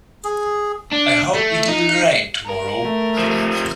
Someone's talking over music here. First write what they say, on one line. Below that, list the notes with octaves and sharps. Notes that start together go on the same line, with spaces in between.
I hope it will rain tomorrow.
G#4
D4
A3
D#4
A#4
A3
C3 F3